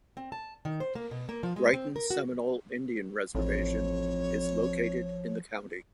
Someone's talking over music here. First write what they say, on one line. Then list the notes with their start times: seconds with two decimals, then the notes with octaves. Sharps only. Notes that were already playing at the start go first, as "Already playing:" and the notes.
Brighton Seminole Indian Reservation is located in the county.
0.17 C4
0.32 A5
0.65 D#3
0.80 C5
0.95 A#3
1.11 B2
1.29 A#3
1.43 F3
1.56 G#3
1.73 C4
1.96 A#4
2.10 F#4
3.35 A1 F2 F3 C#5